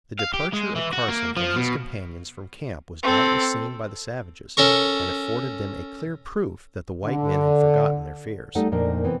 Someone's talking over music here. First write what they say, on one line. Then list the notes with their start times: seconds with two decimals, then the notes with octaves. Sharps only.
The departure of Carson and his companions from camp was doubtless seen by the savages and afforded them a clear proof that the white men had forgotten their fears.
0.19 F5
0.34 G4
0.54 G#3
0.76 E3
0.93 F#4
1.08 A#3
1.37 F3
1.56 B2
3.03 C4 A4
4.57 C#4 A4 A#4 C#6
7.05 D3
8.55 G3 A3 D#4 A4 F#5
8.72 F2 A#2 A#3 D4 D#4 A#4
9.04 C3 E3 B3 C4